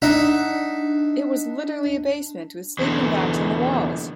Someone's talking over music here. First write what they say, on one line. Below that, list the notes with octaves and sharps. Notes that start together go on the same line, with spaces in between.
It was literally a basement with sleeping bags on the walls!
D4 D#4 E5 F#5
E2 D3